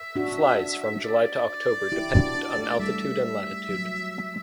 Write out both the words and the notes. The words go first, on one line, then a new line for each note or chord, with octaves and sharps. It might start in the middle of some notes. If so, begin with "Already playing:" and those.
Flies from July to October dependent on altitude and latitude.
Already playing: E5
D4 F#4
D5
E4 G4
D4 F#4
A3
G3 E5
F#3